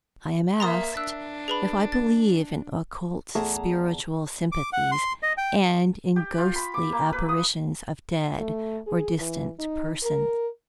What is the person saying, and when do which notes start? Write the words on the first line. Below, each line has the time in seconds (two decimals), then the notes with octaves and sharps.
I am asked if I believe in occult spiritual sympathies, and in ghostly apparitions of dead or distant persons.
0.60 A#3 E5 A#5 C6 D#6
0.97 D4 E6 F#6
1.48 G#4 B4 B5
1.92 A6
3.35 E2 A3 G#4 A5 A#5
4.52 D6
4.73 F#5
4.92 C6
5.23 D#5
5.37 G5
6.16 G4
6.38 F4
6.56 B5
6.74 D6
6.92 A#3
7.12 B4
7.29 D#6
8.38 A3
8.87 G#4
9.18 E3
9.59 D#4
10.03 A#4